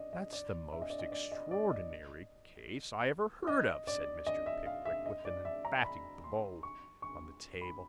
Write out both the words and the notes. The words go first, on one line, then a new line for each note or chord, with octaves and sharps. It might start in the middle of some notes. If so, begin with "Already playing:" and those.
'That's the most extraordinary case I ever heard of,' said Mr. Pickwick, with an emphatic blow on the table.
Already playing: D5 D#5
D#5
D5
E5
D#5
D5
D#5
D5
D#5
D5
D#5
D#5
D5
D#5
E5
F5
E5
D#5
D5
E5
A#5
B5
C6
C#6
C#6
B5